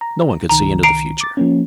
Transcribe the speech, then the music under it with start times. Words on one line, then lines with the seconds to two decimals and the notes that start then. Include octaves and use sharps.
No one could see into the future.
0.01 A#5
0.49 C2 D#3 A#5
0.83 A#5 C7 D7
1.21 D6 A6
1.37 F3 A#3 C#4